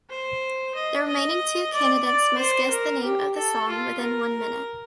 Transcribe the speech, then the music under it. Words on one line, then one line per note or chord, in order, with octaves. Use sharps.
The remaining two candidates must guess the name of the song within one minute.
C5
D#5
D#5
D5
D5
C5
A#4
G4
A4
F4
A#4